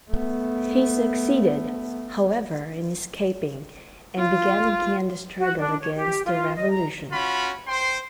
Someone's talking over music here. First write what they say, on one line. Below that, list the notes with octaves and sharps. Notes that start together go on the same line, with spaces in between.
He succeeded, however, in escaping, and began again the struggle against the Revolution.
A3 B3
F4
F#4
D4
C#5
G4
F4
D#5
A#5
C#4 F4 F#4 B5
C5 G5 C6